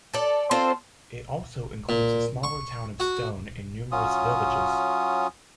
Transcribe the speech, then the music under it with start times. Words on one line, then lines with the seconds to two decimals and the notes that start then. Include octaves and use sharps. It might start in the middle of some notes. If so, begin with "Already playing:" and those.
It also includes the smaller town of Stone and numerous villages.
0.14 A4 D5
0.51 C4 F4 A4 C5
1.89 A#2
2.43 C#6
3.00 F#4
3.92 F#3 C#4 F4 D#6